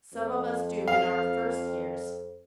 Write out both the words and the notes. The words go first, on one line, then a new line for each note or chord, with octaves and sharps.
'Some of us do in our first years.
F2
F5